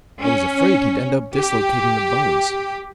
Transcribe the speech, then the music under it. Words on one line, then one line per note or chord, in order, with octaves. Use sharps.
I was afraid he'd end up dislocating the bones.
C#4
G4